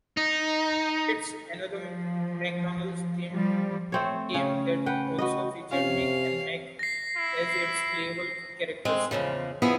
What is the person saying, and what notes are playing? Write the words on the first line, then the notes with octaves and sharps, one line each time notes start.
Kids, another McDonald's-themed game that also featured Mick and Mack as its playable characters.
D#4
F3
F3 G3
A3 C4 C#5
C#3 C#4
B4 F#5 G5
F#4 B4 D#5
C3 C#4 F4 F5
A#6 C7
E4
C7
G#3 C4
E2 G2 C#3 F3
F3 B3 E4 G#4